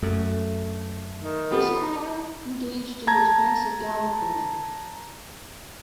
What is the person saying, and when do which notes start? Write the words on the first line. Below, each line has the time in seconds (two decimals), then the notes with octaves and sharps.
His corps engaged in the defense of Gallipoli.
0.03 F#2 A3
1.23 D#3
1.51 B3 F4 G4 A4
3.07 A5 A#5 G#6